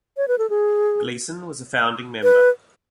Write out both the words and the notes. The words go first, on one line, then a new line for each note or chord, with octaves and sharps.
Gleason was a founding member.
C#5
B4
A4
G#4
B4